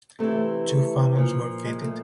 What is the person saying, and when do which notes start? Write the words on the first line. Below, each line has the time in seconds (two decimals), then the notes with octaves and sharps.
Two funnels were fitted.
0.19 C3 E3 A3
0.67 A3
1.16 A#2 F3
1.65 G#3
1.81 A3